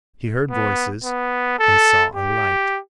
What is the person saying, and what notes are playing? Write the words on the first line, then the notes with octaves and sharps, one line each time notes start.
He heard voices and saw a light.
B3
B3
A4
G4